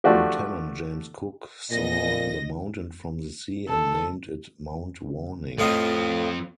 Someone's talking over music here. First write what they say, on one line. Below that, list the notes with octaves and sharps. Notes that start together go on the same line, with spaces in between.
Lieutenant James Cook saw the mountain from the sea and named it Mount Warning.
F3 A3 D4 F#4 G4
F2 A#2 D#5 A#6
A4
F2 A2 F3 F4 D#5